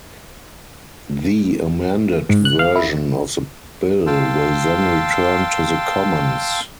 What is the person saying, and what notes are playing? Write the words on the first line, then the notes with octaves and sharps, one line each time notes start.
The amended version of the bill will then return to the Commons.
G#2
F#6
F5
E4
F5 G5 A5 C6 E6